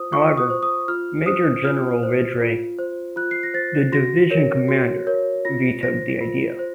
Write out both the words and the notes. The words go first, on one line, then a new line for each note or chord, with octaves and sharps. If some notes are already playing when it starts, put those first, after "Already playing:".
However, Major General Ridgway, the division commander, vetoed the idea.
Already playing: F4 C5 D#6
F4 C#6
D#6
C5
D#6
F4 F6
C5 D#6
F4 F6
C5
F4
C5
F4 F#6
C7
A#6
C5 A6
F#4 A#6
A#4 C#5
F#4
A#4 C#5
F4 A#6
C5 A#6
F4
C5